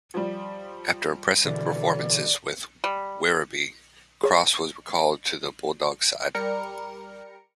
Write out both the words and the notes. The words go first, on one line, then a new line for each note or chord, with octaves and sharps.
After impressive performances with Werribee, Cross was recalled to the Bulldogs side.
F3 G3
B2 D3 E3 D5
G3
G#4 C#5
G3 A#4 C#7